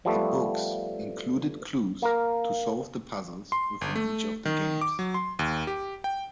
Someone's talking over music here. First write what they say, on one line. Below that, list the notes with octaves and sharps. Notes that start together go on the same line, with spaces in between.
The books included clues to solve the puzzles within each of the games.
F3 G3 A3 B3
A#3 A#4
C6
G1
A3
D#3
D6
F#3
C6
D#2
G4
G5